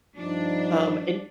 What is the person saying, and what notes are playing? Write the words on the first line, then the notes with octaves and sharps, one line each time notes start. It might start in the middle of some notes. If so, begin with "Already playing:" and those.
Um, and
G2 F3 D4 D#4